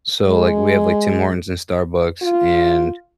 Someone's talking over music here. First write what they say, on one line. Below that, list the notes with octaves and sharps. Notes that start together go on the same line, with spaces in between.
so, like, we have, like, Tim Hortons and Starbucks and,
G#3
F4